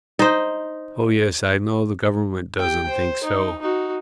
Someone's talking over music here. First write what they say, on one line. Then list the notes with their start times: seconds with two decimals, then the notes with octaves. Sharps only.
Oh, yes, I know the Government doesn't think so.
0.19 D#4 C5
2.59 G4 G5
2.88 C5
3.24 D#4
3.61 D#4 F#4